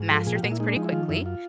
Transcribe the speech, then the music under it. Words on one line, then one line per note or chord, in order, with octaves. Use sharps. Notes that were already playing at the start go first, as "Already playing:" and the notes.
master things pretty quickly,
Already playing: G#2
F3 A4
A#2 G#4
G4
A#2 F#4
E4
G#3 D#4
D4
F3 D#4
E4
D#3 F4
F#2 E4
F4